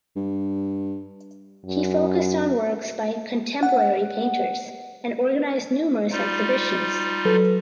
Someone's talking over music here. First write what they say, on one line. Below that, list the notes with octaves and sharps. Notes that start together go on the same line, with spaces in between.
He focused on works by contemporary painters and organised numerous exhibitions.
G2
F#2
F#5
G3 D#4 F4
F#3 A4 B4